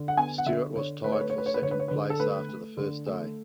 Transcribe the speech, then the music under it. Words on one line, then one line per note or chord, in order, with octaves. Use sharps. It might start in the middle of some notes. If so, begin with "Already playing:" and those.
Stewart was tied for second place after the first day.
Already playing: D3
F#5
B3 G#5
F#5
D3 E5
D3 C#5
A3 B4
C#5
B4
C#5
A3 B4
C#5
B4
D3 C#5
B4
C#5
D3 B4
A4
A3 B4
A3
D3
A3